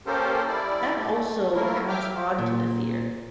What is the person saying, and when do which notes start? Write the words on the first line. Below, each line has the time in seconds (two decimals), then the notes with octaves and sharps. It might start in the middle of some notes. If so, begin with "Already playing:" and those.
that also adds on to the fear,
0.06 A#3 C#4 G4 A4 A#4 C5
0.48 G3 E4 D5
0.96 A3
1.54 A3 A#3 E4 A#4
1.89 E5 G5 D6 F6
2.38 A#2